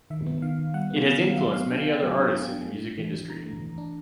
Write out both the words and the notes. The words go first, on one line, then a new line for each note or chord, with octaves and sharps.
It has influenced many other artists in the music industry.
D#3 E5
B3
D#3 F5
D#3
G3 F#5
B3
D#3 F5
B3
F#3 E5
B3 F5
D4 G5
B3 G#5
F#3
D4
D4
D4
A3
A3
E3
E3
E3 A#5
A3
E3
D4